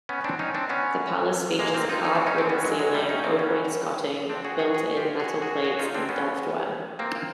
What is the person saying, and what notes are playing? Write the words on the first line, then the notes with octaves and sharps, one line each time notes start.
The palace features a carved wooden ceiling, oak wainscoting, built-in metal plates and Delftware.
B3 C#4
C4 D4
C#4 D#4
C4 D4
B3 C#4
G#3 A#3
A#3 C4
D#4 F4
C#4 D#4
C4 D4
C#4 D#4
C4 D4
B3 C#4
F#3 G#3
F#3 G#3
G3 A3
C#4 D#4
A#3 C4
B3 C#4
C4 D4
F#4 G#4
F#4 G#4
F#4 G#4
F4 G4
F#4 G#4
F#4 G#4
F#4 G#4
D#4 F4
C4 D4
B3 C#4
A#3 C4